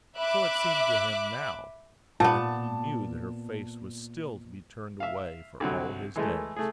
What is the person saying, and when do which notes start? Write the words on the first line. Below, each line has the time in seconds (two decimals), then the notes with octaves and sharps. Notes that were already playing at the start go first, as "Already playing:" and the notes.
So it seemed to him now when he knew that her face was still to be turned away for all his days.
0.16 E5 B5 D6 F#6
2.20 A#2 B3 A5
5.00 E5 F5
5.60 C2 D3 F#3
6.16 E3 G#3 A3
6.56 A3 G#4